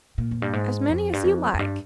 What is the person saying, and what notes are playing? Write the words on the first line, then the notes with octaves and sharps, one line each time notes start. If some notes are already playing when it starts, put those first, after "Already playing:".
"As many as you like."
A#2
F2
G2
G#2
F2
G2
F2
F2
G2